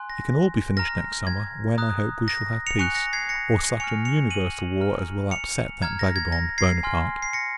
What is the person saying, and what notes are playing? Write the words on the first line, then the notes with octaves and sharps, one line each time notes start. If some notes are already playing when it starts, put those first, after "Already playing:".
It can all be finished next summer; when, I hope, we shall have peace, or such an universal war as will upset that vagabond, Buonaparte.
Already playing: G#5 C6 F#6
A#6
A#5 F6 A#6
G#6
A#5 D#6 F#6
A#6
C#7 F7
G#5 C#6 F#6 C#7 F7
A#6 C#7
G#6 C7
A#6 C#7
G#5 C#6 F6 C#7 F7
C#7 F7
D#7 F#7
A#5 F6
C#7 F7
A#5 F6 G#6
A#6
G#6
A#6
G#6 C7
G#5 C6 F6
C7
A#6 C#7